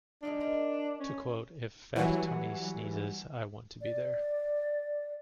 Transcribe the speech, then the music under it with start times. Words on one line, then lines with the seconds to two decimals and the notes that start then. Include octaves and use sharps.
To quote: If Fat Tony sneezes, I want to be there.
0.23 G#3 D4 D#4 F4
0.40 A#4 C5 A#5
1.00 C#4
1.96 E3 F#3 G3 C#5 F#5 G#5
3.81 D5